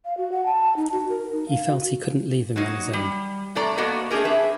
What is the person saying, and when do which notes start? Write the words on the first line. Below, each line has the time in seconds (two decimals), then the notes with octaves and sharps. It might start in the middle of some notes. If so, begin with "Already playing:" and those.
He felt he couldn't leave him on his own.
0.05 F5
0.17 F#4
0.32 F#5
0.46 A5
0.76 D#4
0.92 F#4
1.09 A#4
1.32 D#4
1.49 F5
1.69 F#4
2.56 F#3 A#3 D#4
2.93 G3
3.55 A2 C3 C4 A4 D5 A#5
3.77 A#3 B3 F#4 A4 D5 D#5
4.11 A3 C4 D4 G4 G#4 A#4
4.24 G#4 B4 E5